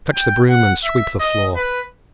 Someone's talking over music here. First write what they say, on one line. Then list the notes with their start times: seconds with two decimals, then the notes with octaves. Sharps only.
Fetch the broom and sweep the floor.'
0.13 G5
0.49 F#5
0.84 E5
1.20 D#5
1.55 B4